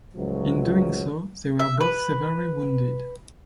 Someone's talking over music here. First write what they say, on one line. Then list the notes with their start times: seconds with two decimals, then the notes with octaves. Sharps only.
In doing so, they were both severely wounded.
0.17 C#2 A2 F3 F#3
1.59 E5
1.81 B4